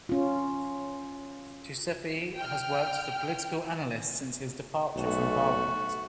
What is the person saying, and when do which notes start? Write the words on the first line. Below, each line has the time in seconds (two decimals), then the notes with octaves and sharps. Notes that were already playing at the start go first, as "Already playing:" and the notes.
Duceppe has worked as a political analyst since his departure from parliament.
0.09 C#4 F4
2.36 G5 F6
4.96 B1 A3 F#4